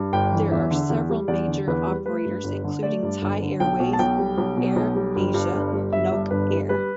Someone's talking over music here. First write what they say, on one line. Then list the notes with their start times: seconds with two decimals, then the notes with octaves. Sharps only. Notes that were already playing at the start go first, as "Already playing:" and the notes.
There are several major operators including Thai Airways, Air Asia, Nok Air.
Already playing: G2
0.13 G1 G5
0.32 E3
0.51 E2 E5
0.71 D3
0.90 E2
1.09 G3
1.28 E2 D5
1.48 D3
1.67 E2 B4
1.87 G3
2.06 A3 B4
2.25 G2
2.44 G1
2.64 D3
2.83 A3 D5
3.03 G2
3.22 G1
3.42 D3
3.60 B1 G5
3.80 B2
3.93 A5
3.99 B1 G5
4.18 G3
4.38 B1
4.57 B2
4.76 B1
4.95 G3
5.16 G1
5.34 G2
5.53 G1
5.73 G3
5.92 G1 E5
6.12 G2
6.31 G1 B4
6.50 G3
6.69 G3 B4